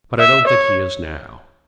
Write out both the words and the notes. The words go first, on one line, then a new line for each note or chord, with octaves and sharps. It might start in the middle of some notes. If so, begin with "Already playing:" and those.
But I don't think he is, now.
E5
C#5